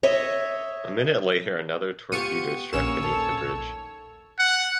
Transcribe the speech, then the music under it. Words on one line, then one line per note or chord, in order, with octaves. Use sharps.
A minute later another torpedo struck beneath the bridge.
C#5 D#5 E5
B3 F4 G4 C#6 C#7 D#7
A#1 A#3 C#4 A#4 C#5 E6 E7
D#2 A4
F#5